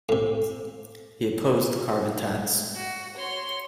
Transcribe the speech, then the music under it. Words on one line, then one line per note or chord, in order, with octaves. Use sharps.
He opposed the carbon tax.
A2 C3
F#4
C#5 C6